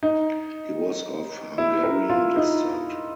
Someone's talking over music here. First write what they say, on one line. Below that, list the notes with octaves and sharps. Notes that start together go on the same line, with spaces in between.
He was of Hungarian descent.
D#4
E4
A#4
F4
D#4